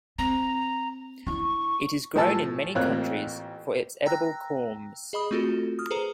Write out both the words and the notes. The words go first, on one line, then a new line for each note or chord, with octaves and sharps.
It is grown in many countries for its edible corms.
C4 A#5
D4 E4 C#6
A2 F3 G#5 A5 E6
A1 A#3 C4 F4 C#5 F#6
G5 A#5 E6 F#6 A#6
G#4 D#5 B5 D#6
A3 C4 F4 F#4 A4
D#6 F6
G#4 A4 B4 C5 A#5